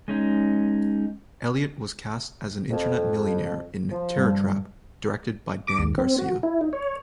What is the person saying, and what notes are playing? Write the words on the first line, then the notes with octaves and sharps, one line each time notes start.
Elliott was cast as an Internet millionaire in "Terror Trap", directed by Dan Garcia.
G#3 C#4 D#4
F2
F3
G2
D6
D#2
C4
F#4
E4
D#4
C#5